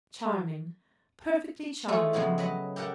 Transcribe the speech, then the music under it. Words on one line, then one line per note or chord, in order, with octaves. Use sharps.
Charming; perfectly charming.
G#3 A3 F4 G#4 A4 C#5
C#3 F3 G#3 B3 C4
F#3 D#5 B5
G4 A4 A#4 F#5 G5